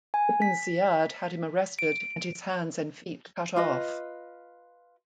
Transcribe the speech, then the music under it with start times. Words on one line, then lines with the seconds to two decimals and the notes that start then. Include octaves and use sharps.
Ibn Ziyad had him arrested and his hands and feet cut off.
0.14 G#5
0.42 B6
1.79 D7
3.56 F4 B4 D#5